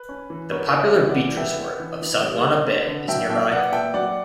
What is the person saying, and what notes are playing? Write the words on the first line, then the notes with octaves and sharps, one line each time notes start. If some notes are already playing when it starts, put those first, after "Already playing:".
The popular beach resort of Sodwana Bay is nearby.
Already playing: B4
C#4
E3
B3 A#4 C#5
B3
C#5 E5
E3
D5 F#5
E3
B3 E5 G5
B3
E3
E3
G3
D3
B3
D3
F#3 E5 G5
A#2 E5 G5
B3 D5 F#5
A#2 E5 G5
F#3 D5 F#5